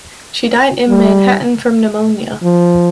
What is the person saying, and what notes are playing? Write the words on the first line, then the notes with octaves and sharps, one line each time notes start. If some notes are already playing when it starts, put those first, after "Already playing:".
She died in Manhattan from pneumonia.
G3
F3